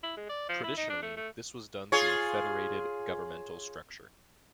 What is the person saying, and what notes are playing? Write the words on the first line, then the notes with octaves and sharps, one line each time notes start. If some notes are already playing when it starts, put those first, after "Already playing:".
Traditionally, this was done through a federated governmental structure.
E4
G#3
D5
F3
E4
D#4
D4
A3
A3
F4 G#4 C#5